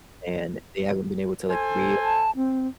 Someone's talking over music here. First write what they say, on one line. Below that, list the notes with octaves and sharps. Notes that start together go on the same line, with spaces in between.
and they haven't been able to, like, real
A4 C5 G#5
A5
C4